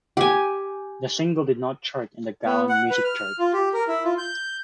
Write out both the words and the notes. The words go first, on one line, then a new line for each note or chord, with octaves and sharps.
The single did not chart in the Gaon Music Chart.
G4 G#5
B3
F#5
B4
F6
F4
G4
A#4
E4
F4
G6